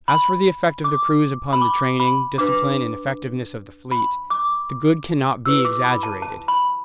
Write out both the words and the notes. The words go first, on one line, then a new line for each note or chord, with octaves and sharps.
As for the effect of the cruise upon the training, discipline and effectiveness of the fleet, the good cannot be exaggerated.
B5
D6
B5
D6
B5
D4 B4 D6
B5
D6
E4 G4 B4 E6
D6
B5
A5
A5
B5